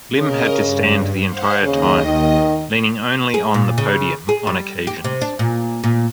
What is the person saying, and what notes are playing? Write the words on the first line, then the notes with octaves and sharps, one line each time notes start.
Lim had to stand the entire time, leaning only on the podium on occasions.
C#3 A#4 D#5
G2
C5 F5 F#5
D#2 C#3 D#5
D#3
G#4
A#2
C#3
G#4
G3
G4
C3
D4
A#2
A#2